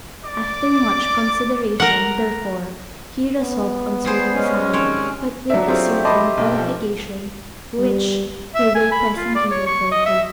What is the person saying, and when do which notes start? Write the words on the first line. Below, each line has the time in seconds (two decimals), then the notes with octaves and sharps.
After much consideration, therefore, he resolved on serving Sarah, but with a certain qualification, which we will presently refer to.
0.24 D5 D6
1.80 A#4 F#5
3.38 B3
4.05 G3 G#4 C5
4.34 G#3 C#4
4.73 D#3 C4 C#5
5.50 F#3 D4 E5
5.67 A3 C4 F4 G4 G#4 C5
6.05 D#5 A5 B5 C6 D6
6.37 B1
6.58 F3
7.79 G3
8.55 E5
8.75 G#5
8.92 B5
9.16 F4
9.35 D5
9.51 C#5
9.67 C#6
9.92 D#5
10.06 E5